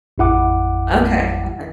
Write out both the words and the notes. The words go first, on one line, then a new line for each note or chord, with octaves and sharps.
Okay, okay.
A1 F2 E4 F#5 D6